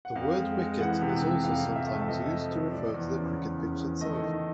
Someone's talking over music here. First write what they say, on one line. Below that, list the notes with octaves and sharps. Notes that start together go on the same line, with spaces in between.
The word "wicket" is also sometimes used to refer to the cricket pitch itself.
F#5
F2 F5
G#3
G#3
E3 F#5
C3
C3
F2 F5
F2
E5
A3
E5
F3 D#5
A3
F3
F3 D5
E2
C#3
E2
C#3
E2
A3 D#5
D#3